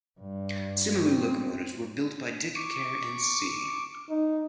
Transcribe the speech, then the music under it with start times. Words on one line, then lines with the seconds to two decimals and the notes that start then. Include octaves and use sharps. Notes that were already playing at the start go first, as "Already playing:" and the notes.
Similar locomotives were built by Dick, Kerr and C.
0.20 G2
1.07 C4
2.56 C#6 D6
4.09 D#4